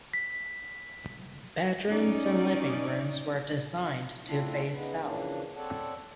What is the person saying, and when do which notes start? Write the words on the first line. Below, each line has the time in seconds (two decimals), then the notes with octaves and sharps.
Bedrooms and living rooms were designed to face south.
0.14 B6
1.87 C#4 D#4 D5
4.24 A3 C4 D4 E4 F4
4.72 C#3 B3 D#4 B4
5.00 C#3 E3 F3 A#3 C#4 D4
5.56 C4 A4 C#5 D5 F#5 A5